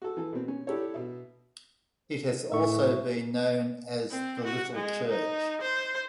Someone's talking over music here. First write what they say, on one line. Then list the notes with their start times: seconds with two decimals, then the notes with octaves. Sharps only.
It has also been known as The Little Church.
0.02 F#4 A4
0.17 E3 A4
0.33 B2 C4
0.48 C#4
0.67 D4 E4 G4 A4 C#5
0.94 B2 E5
2.52 A2 E5 C#6
4.11 C4
4.44 F#4
4.76 G#3
5.09 D#4
5.62 C5